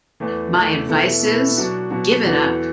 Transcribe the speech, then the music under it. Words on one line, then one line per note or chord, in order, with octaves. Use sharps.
My advice is—give it up!
E2 E3 A3
E2 E3 A3
B2 B3 E4 A4
B2 B3 E4 A4
B2 F#3 D4 F#4
B2 F#3 D4 F#4
E2 E3 B3 F#4 A4